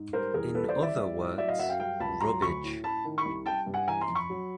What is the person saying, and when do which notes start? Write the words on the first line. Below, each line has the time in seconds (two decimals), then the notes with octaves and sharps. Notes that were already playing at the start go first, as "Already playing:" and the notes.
In other words, rubbage.
Already playing: G#2
0.13 G3 A#4 C5
0.34 E2 G#4 A#4
0.55 G3 A4 B4
0.69 C5 D5
0.76 C2
0.83 D5 E5
0.97 G3
1.17 A2
1.38 F#3 D5 E5
1.48 D#5 F5
1.59 F#2 E5 F#5
1.69 F5 G5
1.80 G3 F5 G5
2.00 C#2 A5 B5
2.21 F#3 A#5 C6
2.42 D2 B5 C#6
2.63 A2
2.84 A2 A5 B5
3.05 D#3
3.18 B5 C#6
3.25 C2
3.46 G3 G5 A5
3.66 G2
3.74 F#5 G#5
3.87 E3 G#5 A#5
4.01 A#5 C6
4.08 F2
4.15 B5 C#6
4.30 F#3